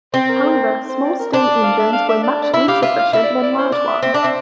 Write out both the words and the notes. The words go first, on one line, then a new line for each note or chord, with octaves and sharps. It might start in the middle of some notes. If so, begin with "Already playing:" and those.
However, small steam engines were much less efficient than large ones.
C4 C5
A#4
A4
A#4
C5
C5
D5
A#4
D4 C5
D5
F5
E5
F5
E5
D5
D5
E4 E5
G4 F5
F4 E5
F5
E4 E5
D5
D5
C5
D4 D5
E5
C4 E5
D4 D5
C4 E5